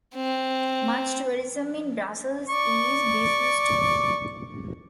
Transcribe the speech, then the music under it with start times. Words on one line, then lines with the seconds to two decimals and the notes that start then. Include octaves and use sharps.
Much tourism in Brussels is business tourism.
0.15 C4
2.49 D5 C#6